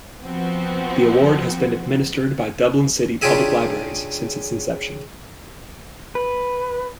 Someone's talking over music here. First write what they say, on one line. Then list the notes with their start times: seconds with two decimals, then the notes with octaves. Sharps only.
The award has been administered by Dublin City Public Libraries since its inception.
0.23 F3 B3 C4 F#4
3.22 C#3 D4 F4 G4 G#4 E5
6.15 B4